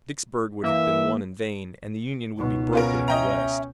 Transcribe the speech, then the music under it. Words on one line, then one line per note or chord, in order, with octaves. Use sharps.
Vicksburg would have been won in vain and the Union would be broken in the West.
E3 A#3 E5
C#2 B2 D#4
B3 C#4 F4 A#4
D#5 E5 G5 A#5